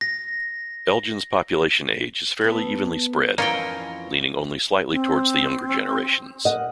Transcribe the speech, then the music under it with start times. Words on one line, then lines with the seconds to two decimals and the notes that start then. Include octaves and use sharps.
Elgin's population age is fairly evenly spread, leaning only slightly toward the younger generations.
0.01 A#6
2.41 B3 A4
3.38 F2 E3 A#3 C#4 F4 A#4 D#5 G5
4.91 C4
6.45 A#4 D#5 F#5